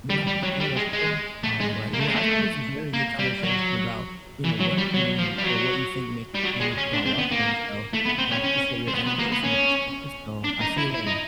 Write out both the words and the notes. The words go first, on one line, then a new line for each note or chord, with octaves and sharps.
Yeah, yeah, that's true, um, but, you know, I thought this was a very good conversation about, you know, what community or what you think makes a community feel more welcoming, so, you know, I appreciate your anecdotes and your perspective, so I'll see you later.
G3
G3
F#3
G3
G#3
G#3
A3
G#3
A#3
A3
G#3
A3
A#3
G3
F#3
E3
F#3
G3
F#3
F3
G3
F#3
G3
F#3
G#3
C#4
D4
C4
B3
A#3
A3
B3
C4
C#4
C#4
C4
B3
B3
A#3
B3
C#4
D4
D#4
E4
E4
D#4